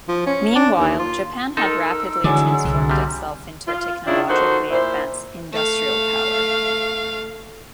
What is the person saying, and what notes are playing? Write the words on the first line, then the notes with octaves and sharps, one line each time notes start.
Meanwhile, Japan had rapidly transformed itself into a technologically advanced industrial power.
F3
C#4
D4
D#2
F4
D#4 A4 A#4 C6 E6
D3 E3 F#3 G#3 D5
C2 D3
C3 G3
F4
C#3 D4 E4 F4
D#3 D#4 F#4 A4 C5
A#2 E4 C5
A3 F5